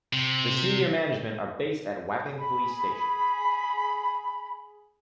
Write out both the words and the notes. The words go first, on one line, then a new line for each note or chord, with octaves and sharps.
The senior management are based at Wapping police station.
C3
G#4 B5